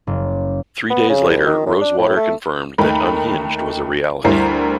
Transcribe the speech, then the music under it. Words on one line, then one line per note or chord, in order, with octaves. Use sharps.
Three days later, Rosewater confirmed that "Unhinged" was a reality.
F#1
B3
C#3
C2
D#3
F#2
D4
A2
A3
D#2 A3 D#4 A#4 B5
D2 G3 E4 A#4 C5 C7